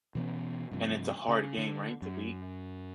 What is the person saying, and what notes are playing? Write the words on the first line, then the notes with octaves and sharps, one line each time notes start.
And it's a hard game, right, to beat?
B2 E3 B3 C#4
G2 C3 F3
C#3
D3
F#2